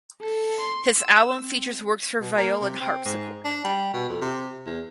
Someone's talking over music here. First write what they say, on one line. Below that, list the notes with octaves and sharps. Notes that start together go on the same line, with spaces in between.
His album features works for viola and harpsichord.
A4
C6
E6
C4
B2
A#3
C3
C4
G#2
D4
G3
B2
F2
C3
E2